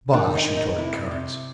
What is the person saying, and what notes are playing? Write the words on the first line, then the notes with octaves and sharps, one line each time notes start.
"Bosh!" retorted Carnes.
D#3 D4
D#4
D#3
D#4
C3 E4
C3